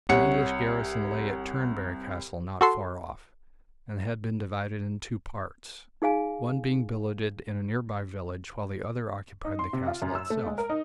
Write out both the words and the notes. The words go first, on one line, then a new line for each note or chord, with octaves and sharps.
An English garrison lay at Turnberry Castle not far off, and had been divided in two parts, one being billeted in a nearby village, while the other occupied the castle itself.
C2 C#5 F#5 C#7
F#4 A4 C6
D#4 G#4 F5 G#5
D#4
C6
C3
F4
F#2
E6
A3
G#3
A#4
D#4